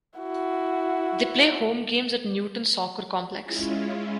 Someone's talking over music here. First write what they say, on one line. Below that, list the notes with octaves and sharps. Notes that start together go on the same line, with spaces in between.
They play home games at Newton Soccer Complex.
E4 F#4
G#3 C#4 E4 F4